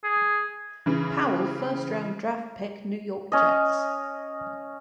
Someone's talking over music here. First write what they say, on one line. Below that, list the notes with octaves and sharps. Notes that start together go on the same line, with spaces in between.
Powell first round draft pick New York Jets.
G#4
C#3 E3
C#4 D#5